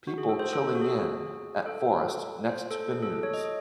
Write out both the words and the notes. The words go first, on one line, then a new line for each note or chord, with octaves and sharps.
People chilling in at forest next to canoes.
F#4
G#4
A4
C5
A4
A4
F#4
G#4
A4
C5
A4
G#4
A4
A4
C#5
D#5